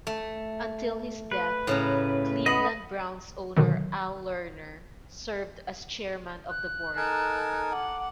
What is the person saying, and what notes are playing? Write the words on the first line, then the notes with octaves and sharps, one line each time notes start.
Until his death, Cleveland Browns owner Al Lerner served as Chairman of the Board.
A3
B4
A2 C#3 A#5
B3 D#5 B5
B2 D3 D#3 F#3
F#6
D#4 A4 A#4 G#5
F#5 D6